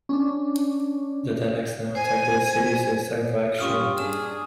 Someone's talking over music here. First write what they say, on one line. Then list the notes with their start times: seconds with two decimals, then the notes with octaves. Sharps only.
The Daleks now attack the city, so it is time for action.
0.09 C#4 D4
1.95 C5 G#5
3.59 G2 C#4 F4 G4 C#6 D#6 F6
3.97 D4 G#4 F6 E7